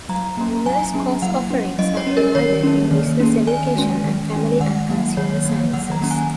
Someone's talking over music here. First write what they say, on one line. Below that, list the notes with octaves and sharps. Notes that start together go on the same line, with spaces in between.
Numerous course offerings are provided in business education and family and consumer sciences.
F#3 A#5
A#3 C#4
F#3 G#5
A#3 C#4
F#3 F#5
C#4
F#3 D#5
C#5
C#4
A#4
D#3 C#5
A#3 C#4
D#3
A#3 C#4
D#3 G#5
G#3 C#4
D#3
G#3 C#4
D#3 F#5
F#3 A#3
D#3 C#5
F#3 A#3
D#3 F#5
A#5
A#3 C#4
G#5